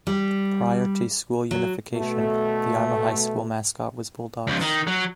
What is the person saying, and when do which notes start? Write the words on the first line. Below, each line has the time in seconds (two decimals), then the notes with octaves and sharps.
Prior to school unification, the Arma High School mascot was Bulldogs.
0.07 G3
1.51 F#3
1.93 B2 A3
4.47 C#2 F3
4.61 D#3
4.87 F#3